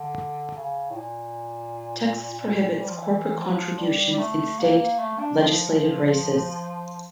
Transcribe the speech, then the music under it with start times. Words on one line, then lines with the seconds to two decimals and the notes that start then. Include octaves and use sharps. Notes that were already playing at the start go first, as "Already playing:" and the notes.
Texas prohibits corporate contributions in state legislative races.
Already playing: D3
0.56 C#3
0.90 A2
0.97 A#2
2.80 G3
2.89 F3
2.98 E3
3.38 F3
3.78 G3
4.13 G3
4.19 A3
4.59 A#3
4.79 A#3
4.99 A3
5.19 D4
5.39 F3